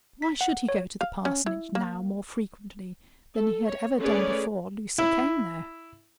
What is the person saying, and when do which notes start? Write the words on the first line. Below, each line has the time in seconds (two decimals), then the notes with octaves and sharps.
Why should he go to the parsonage now more frequently than he had ever done before Lucy came there?
0.22 B6
0.41 F#5
0.69 C#5
1.01 F5
1.25 C#4
1.46 E4
1.75 A#3
3.35 A4
3.67 C#5
3.99 A3 C#4 G#4 B4 C#5 D5
4.98 E4